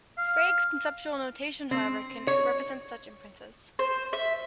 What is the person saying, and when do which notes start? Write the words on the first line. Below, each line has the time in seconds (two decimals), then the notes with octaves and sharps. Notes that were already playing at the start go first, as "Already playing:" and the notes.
Frege's "conceptual notation" however can represent such inferences.
0.18 F5
1.71 C4
2.27 C#5
3.79 C5
4.13 E5